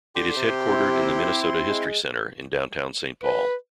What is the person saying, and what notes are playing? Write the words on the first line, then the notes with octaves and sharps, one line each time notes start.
It is headquartered in the Minnesota History Center in downtown Saint Paul.
D3 G4 G5 C6
C3
C4 E4
C6
G#3
B4